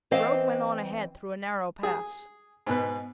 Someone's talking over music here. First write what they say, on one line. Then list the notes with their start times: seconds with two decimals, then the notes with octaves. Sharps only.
The road went on ahead through a narrow pass.
0.11 E3 C4 C5 D#5 F5
1.83 G#4
2.67 G#2 B2 B4